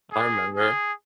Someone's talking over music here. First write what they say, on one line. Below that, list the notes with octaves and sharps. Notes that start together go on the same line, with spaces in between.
I remember.
G#4
G#4